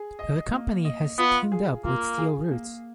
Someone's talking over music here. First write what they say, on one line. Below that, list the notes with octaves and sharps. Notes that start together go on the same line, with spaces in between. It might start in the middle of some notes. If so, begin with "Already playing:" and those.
The company has teamed up with SteelRoots.
Already playing: G#4
D#5
A#3
D#5
B3 F4
G#4
A#3 F4
G#4
A#3